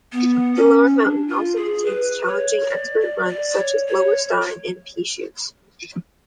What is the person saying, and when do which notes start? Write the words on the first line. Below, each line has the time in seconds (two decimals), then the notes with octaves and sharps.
The lower mountain also contains challenging expert runs such Lower Stein and P-Chutes.
0.13 B3
0.56 C#4
0.98 D4
1.28 F4
1.56 G#4
1.85 B4
2.28 C#5
2.71 D5
3.01 D5
3.29 D5
3.58 C#5
3.87 C#5